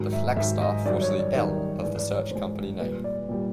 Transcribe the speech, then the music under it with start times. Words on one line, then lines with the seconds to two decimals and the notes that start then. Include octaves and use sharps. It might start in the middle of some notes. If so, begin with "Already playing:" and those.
The flagstaff was the "L" of the search-company name.
Already playing: G#2 D#3 F#3
0.13 E5
0.36 G#2 D#3 F#3 E5
0.61 D#5
0.85 F#2 D#3 G3 D5
1.01 C#5
1.18 D5
1.34 F#2 D#3 G3 D5
1.58 D5
1.83 G#2 E3 G#3 D5
1.99 D5
2.15 C#5
2.31 G#2 E3 G#3 C5
2.80 A#2 B4
2.82 G3
3.04 D5
3.29 A#2 G3